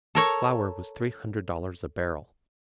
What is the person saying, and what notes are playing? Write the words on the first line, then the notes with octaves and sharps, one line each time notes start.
Flour was three hundred dollars a barrel.
A4 A#4 C#5